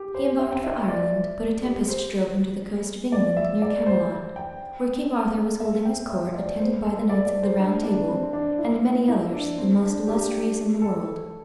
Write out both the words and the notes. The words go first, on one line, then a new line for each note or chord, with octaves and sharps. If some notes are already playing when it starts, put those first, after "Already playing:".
He embarked for Ireland; but a tempest drove him to the coast of England, near Camelot, where King Arthur was holding his court, attended by the knights of the Round Table, and many others, the most illustrious in the world.
Already playing: G4
C5
E5
G5
E5
D5
G4
C5
D5
E5
D5
C5
G5
E5
G5
E5
D5
C5
A4
D5
D5
C5
D4
D4
C4
D4
E4
E4
D4
C4
D4
G4
A4